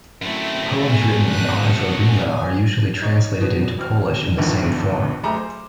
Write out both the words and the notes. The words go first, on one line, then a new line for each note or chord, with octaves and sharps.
Poems written in ottava rima are usually translated into Polish in the same form.
F#2 A3 C4 E4
G#5
F#6 D#7
F#5
G#5
D#4 C#5
B2
E1 C4 F6
D#1 A#1 E2 G2 D3 D#3
F#1 A3 G#4 A#5 D6
C5